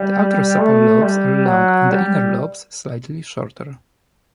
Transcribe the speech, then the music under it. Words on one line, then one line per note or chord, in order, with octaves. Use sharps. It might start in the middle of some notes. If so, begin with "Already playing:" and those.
The outer sepals lobes are long and the inner lobes slightly shorter.
Already playing: G3
A3
G3
F#3
G3